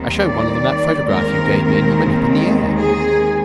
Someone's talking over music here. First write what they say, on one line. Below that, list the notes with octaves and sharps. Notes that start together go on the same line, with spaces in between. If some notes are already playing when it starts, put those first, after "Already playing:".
I showed one of them that photograph you gave me, and he went up in the air.
Already playing: D#2 D#3 G3 C4
D5
D#2 D#3 G#3 C4 A#4
A#4
G#4